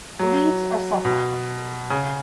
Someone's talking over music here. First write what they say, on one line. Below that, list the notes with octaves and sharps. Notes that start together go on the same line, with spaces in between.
The leaves are sessile.
F#3
B2
C#3